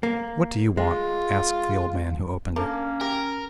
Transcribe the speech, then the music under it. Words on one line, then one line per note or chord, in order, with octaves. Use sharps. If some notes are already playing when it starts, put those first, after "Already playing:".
'What do you want?' asked the old man who opened it.
A#3
G#3 F4
A#3 C#4 D4 A4 A#4
G4 A#4